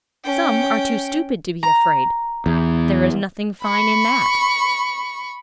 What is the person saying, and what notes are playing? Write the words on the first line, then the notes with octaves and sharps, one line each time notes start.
Some are too stupid to be afraid: there is nothing fine in that.
C#4 G5
A#5
E2
B5 C#6